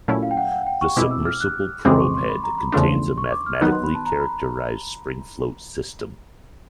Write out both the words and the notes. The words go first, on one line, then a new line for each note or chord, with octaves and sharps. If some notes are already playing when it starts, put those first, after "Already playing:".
The submersible probe head contains a mathematically characterized spring-float system.
A#2 F#3 A3 C#4 E4
F5
G5
F#5
F#5
G5
C#6
B2 G#3 C4 E4 D6
E6
F6
F#6
F2 C#3 E3 G#3 C4 D6
C6
C#6
C6
B5
A#5
B5
E2 C#3 F3 A3 D4 C6
C#6
D6
F6
D#3 F#3 B3 D#4 F#6
C6
B5
A5
A#5
B5